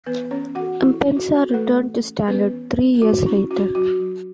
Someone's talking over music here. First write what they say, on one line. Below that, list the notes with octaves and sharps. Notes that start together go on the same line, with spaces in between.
Mpenza returned to Standard three years later.
E3 B3 B4
E3 C#4 C#5
E3 F#4 F#5
E3 E4
C#4
F#4
C#4
B4
E3 A3 A4
E3
C#4
B3 C#4 B4
E3
C#4
F#3 F#4
C#4 E4
C#4 F#4
F#3 F#4
F#3